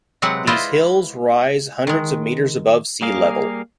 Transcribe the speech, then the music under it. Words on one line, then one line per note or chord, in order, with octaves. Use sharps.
These hills rise hundreds of meters above sea level.
C3 F#3 G#3 C4 B4 F#5
E4 F4 B4 C5 D5 D#5
D#3 G#3
G3 A#3 G#4 A#4 F5